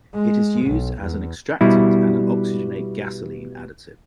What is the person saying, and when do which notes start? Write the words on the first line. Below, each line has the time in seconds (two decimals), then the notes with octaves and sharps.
It is used as an extractant and an oxygenate gasoline additive.
0.14 G#3
0.66 B1
1.02 E2
1.61 B2 G3 E4